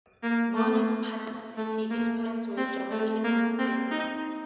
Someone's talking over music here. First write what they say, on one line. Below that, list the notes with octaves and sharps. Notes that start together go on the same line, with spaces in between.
Born in Panama City, his parents were Jamaican immigrants.
A#3
A3
A3
A#3
C4
A3
A#3
C4
D#4